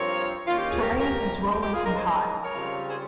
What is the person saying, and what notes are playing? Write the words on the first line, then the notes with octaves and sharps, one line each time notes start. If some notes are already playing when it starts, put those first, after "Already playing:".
Terrain is rolling and high.
Already playing: G2 F3 C4 F4 A#4 C#5
D#3 A#3 C#4 F4
G4
F4 G#4
G4 A#4
G4 A#4
F2 C3 G3 A#3
G4
G4
F4 G#4
C#3 G#3 D#4 G4 A#4
G#4 C5
A#4 C#5
C#3 G3 C4 F4
G#4 C5